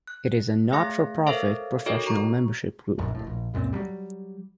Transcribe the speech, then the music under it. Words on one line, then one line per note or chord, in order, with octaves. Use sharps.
It is a not-for-profit professional membership group.
F#6
A3 G#4 E5 F5 F#6 A#6
A4 A#4 C5 C#5 E5 F5
D#4 F#4 A4 A#4 C#5 D#5
F#4 A#5 C#6
D1 A#1 F#2
D1 A2
A#1
C#2 F#2 A#2 C4
F#3 G3